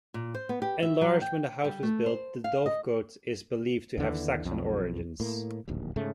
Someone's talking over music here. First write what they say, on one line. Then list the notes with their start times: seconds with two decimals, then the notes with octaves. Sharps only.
Enlarged when the house was built, the dovecote is believed to have Saxon origins.
0.14 A#2
0.34 C5
0.49 B3
0.62 G4
0.83 E5
1.01 F#3
1.21 G5
1.64 G3
1.83 A3
2.06 C5
2.44 F5
2.66 D#5
3.98 D#2 D3 E3
4.45 B1 F2
5.20 A2 A#3
5.68 D1 A#1 D#2
5.96 G#2 C#3 A3